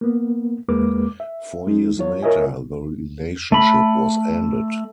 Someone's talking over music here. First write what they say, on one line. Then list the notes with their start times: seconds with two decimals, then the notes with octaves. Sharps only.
Four years later, the relationship was ended.
0.01 A#3 B3
0.69 E2 G#3 A#3 B4 D6
1.20 E5
1.67 G#3 D#4
1.98 F#3 F4 C#5
2.22 F4 A#4 C#5 D#5 E5 G#5
3.52 A3 B5